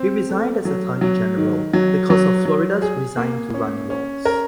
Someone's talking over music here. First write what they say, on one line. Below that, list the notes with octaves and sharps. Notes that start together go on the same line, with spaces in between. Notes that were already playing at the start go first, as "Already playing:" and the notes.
He resigned as Attorney General because of Florida's resign-to-run laws.
Already playing: C4
A3
F#3
F#3
D#3
F#3
F#3
F#3
G#4
A#3
C#4
C#4
A#4